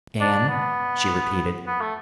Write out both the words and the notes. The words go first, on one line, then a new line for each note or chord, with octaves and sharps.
"Dan?" she repeated.
D4
B3
B3
A3